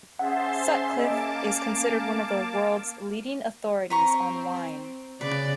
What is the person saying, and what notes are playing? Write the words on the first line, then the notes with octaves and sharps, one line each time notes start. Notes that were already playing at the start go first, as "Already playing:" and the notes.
Sutcliffe is considered one of the world's leading authorities on wine.
C#4 G#4 C5 E5 F#5 A5 C6
A#3 D#5 A5 D6
F5
C4 B4 A#5 C#6
C#3 B4 D5